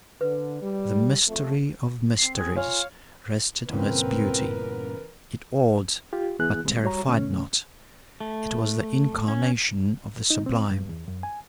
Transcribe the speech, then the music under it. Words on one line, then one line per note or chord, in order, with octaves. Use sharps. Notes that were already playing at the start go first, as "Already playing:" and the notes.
The mystery of mysteries rested on its beauty--it awed, but terrified not: it was the Incarnation of the sublime.
D3 B4
G3
F2 A3
C4 C7
G#4 G#6
F4 C#5 F5 G#5
E2 G2 A#2 C#3 C4 C#4 A#4 B4
F4 G4
C2 E3 B3 E4 G#4 F#6
D3 G3 G#3 C4
G3 F#4 C#5 A#5
B2 D3 A3 C#4
A3
C#4
D#4
C4
G2
E2
F#2
G#5